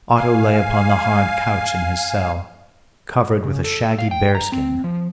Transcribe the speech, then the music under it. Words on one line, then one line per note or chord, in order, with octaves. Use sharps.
Otto lay upon the hard couch in his cell, covered with a shaggy bear skin.
F5 G#5
C#3
A4
F5
G5
A#5
C4
F3